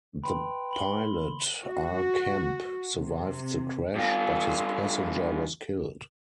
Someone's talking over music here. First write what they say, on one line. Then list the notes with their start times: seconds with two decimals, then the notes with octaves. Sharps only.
The pilot, R. Kemp, survived the crash, but his passenger was killed.
0.24 B4 G5 B5 C6
0.71 B5 F#7 G7
1.63 F#4
2.96 C3
3.96 G2 F4